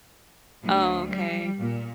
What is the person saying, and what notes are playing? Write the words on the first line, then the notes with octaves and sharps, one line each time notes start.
Oh, okay.
D2
G3
A#2